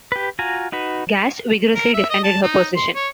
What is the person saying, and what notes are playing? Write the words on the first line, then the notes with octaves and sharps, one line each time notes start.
Gash vigorously defended her position.
G4 B4
F4 F#4 G#5 A#5
D#4 F#4 B4
A#4
E5
D#5
A5
D#4
C6
C#5